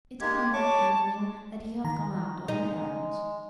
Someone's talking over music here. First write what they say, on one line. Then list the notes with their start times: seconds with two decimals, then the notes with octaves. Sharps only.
It happened that evening that he had gone out on an errand.
0.20 G#3 A#3 G4 G#6
0.53 C#5 A5 C#6 D6
1.84 D#3 A#5
2.48 G#3 D#4